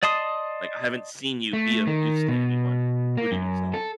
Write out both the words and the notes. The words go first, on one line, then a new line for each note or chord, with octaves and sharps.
Like, I haven't seen you be of use to anyone, including yourself.
D5 D#5 A5 C6 D#6
A3
D#3
B2
A#3
F#2
A4